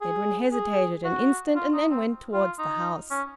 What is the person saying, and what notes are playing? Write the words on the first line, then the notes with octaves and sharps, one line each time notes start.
Edwin hesitated an instant and then went towards the house.
G#4
G#4
F#4
F4
D#4
C4
F4
D#4
C#4